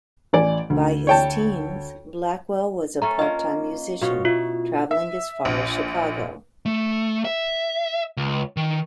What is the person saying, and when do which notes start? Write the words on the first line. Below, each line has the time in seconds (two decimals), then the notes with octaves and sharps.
By his teens, Blackwell was a part-time musician, traveling as far as Chicago.
0.33 A1 D5 G#5
0.70 D2
1.07 C#5 G5 A5
3.02 A3 C#4 A4 A#5
3.19 A#3 F4 D#5
4.01 B2 F4 C#5
4.25 E4 F4
4.91 E5
5.45 A#1
6.66 A3
7.25 E5
8.17 C#2
8.57 D#3